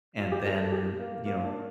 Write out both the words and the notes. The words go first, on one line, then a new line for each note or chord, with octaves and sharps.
and then, you know,
F4
G4
A#4
A4
G4
A#3
A#3
D4